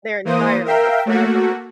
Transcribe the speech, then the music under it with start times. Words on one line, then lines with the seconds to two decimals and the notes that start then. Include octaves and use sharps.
their entire life, forever.
0.25 E3 A#3 C5 D#6
0.65 A#4 E5 F5 G5
1.06 A3 A#3 F#4